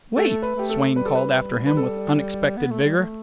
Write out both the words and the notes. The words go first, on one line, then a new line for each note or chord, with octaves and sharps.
"Wait!" Swain called after him, with unexpected vigour.
A3 A4
B4
A3 G4
A4
G3 B4
A4
B4
B4
A4
B3
A3
G3
A3